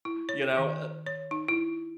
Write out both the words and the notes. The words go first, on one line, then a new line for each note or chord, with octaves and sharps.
you know, uh
E4
C#5
D#3
C#5
D#4
E4